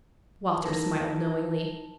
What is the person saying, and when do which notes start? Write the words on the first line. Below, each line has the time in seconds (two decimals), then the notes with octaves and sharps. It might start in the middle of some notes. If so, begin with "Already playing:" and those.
Walter smiled knowingly.
0.63 E3 D#4 A#4 A5 A#6